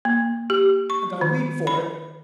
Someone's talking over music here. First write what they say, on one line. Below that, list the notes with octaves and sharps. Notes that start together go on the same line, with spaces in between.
And I weep for it!
A#3
G4
C#6
D#3
B5